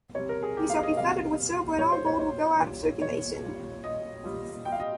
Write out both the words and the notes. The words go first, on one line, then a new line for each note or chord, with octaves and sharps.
We shall be flooded with silver and all gold will go out of circulation.
C3 G3 C#5
A#4
G#4
G4
F5
D#5
C3 G3 F5
A#2 G3 C#5
C5
C#5
C#5
A#2 G3
C#5
A#2 G3
D#5
A#2 G3
G5
F5
D#5